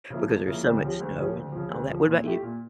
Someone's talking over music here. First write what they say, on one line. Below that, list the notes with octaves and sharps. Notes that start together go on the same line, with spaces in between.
because there's so much snow and all that, what about you?
C#3 F3 A#3 E4
C#2
C#3 F3 A#3 E4
D2
C#3 F3 C#4 G4
D2
C#3 F3 C#4 G4
D2
C#3 F3
D2
C#3 F3
A#2
A3 E4 G4
A#2